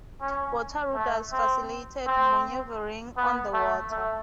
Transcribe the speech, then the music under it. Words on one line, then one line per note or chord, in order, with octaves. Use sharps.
Water rudders facilitated manoeuvring on the water.
C#4
A3
C4
C4
B3
A3
A3